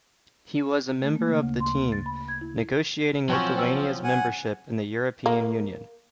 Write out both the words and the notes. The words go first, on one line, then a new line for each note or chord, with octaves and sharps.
He was a member of the team, negotiating Lithuania's membership in the European Union.
A3
A#3
C#3
D2
C6
A6
B5
G#6
E4
F3 F#3 C4 C#4 G5 C#6
C5 G5 E6
F#5 G#5
A#3